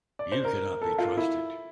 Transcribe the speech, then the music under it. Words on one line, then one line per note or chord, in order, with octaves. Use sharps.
You cannot be trusted.
D5
C5
A#4
A4
F4
E4